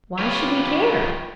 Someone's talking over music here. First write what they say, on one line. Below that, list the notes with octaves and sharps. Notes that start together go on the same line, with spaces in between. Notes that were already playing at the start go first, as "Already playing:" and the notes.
Why should we care?
F4 G4 B4 C#5